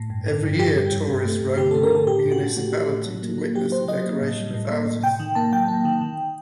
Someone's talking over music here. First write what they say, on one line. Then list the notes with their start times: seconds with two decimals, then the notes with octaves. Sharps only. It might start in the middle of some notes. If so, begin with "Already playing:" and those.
Every year, tourists roam the municipality to witness the decoration of houses.
Already playing: A2
0.10 G2
0.27 D3
0.44 G2
0.59 G2 G4
0.76 G3
0.93 G2
1.09 G2
1.25 A3
1.42 G2
1.58 D3 G4
1.71 A3 A4
1.83 A#4
1.91 D3 A4
2.07 A2 G4
2.24 A2
2.32 F#4
2.40 A2
2.56 A3 F#4
2.73 A3
2.89 A2
3.06 F#3
3.22 A#3
3.38 A#3
3.55 F#3 G4
3.71 F#3 C5
3.88 F#3 D#5
4.04 A#3
4.21 A2
4.37 G3
4.54 A2
4.70 A#3
4.87 A2
5.03 C3 G5
5.20 D#3
5.35 A#3 A5
5.52 F#3 G5
5.68 A#3
5.85 D#3
6.01 D#3